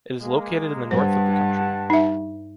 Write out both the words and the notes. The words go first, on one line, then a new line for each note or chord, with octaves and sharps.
It is located in the north of the country.
G#3 A#3
G2 C5 F#5 A5
D#4 E5